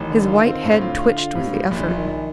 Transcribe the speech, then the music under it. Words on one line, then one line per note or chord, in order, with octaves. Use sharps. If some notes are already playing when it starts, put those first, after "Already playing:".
His white head twitched with the effort.
Already playing: A1 D#3
D3
F4
C4
A2 D3
F4
F4
F4
A2 C3
G2
G3
A#1 A#2
D3
A#1 F3
D#3
A#1